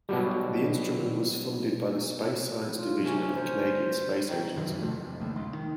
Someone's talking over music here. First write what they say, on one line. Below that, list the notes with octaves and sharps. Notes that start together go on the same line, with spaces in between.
The instrument was funded by the Space Science Division of the Canadian Space Agency.
B2 F#3 G3
F4
D2 C3 C#4
C5
C#2 D#3
F#2 D#3 E3 F#3
E2 C3 F3 A3
E1 A#1 D#2
C#2
D#3